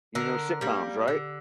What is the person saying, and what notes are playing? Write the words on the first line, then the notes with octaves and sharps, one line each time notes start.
You know, sitcoms, right?
D3 A#4
G3 A#3
D3